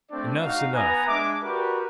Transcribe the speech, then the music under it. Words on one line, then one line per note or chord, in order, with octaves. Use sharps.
Enough's enough.
A3 C4 D4 D5
D#4 F#4 F5
B3 B4 G#5 A#5 D#6
G#3 D4 E5 D6
F#4 G4 A#4 B4 D5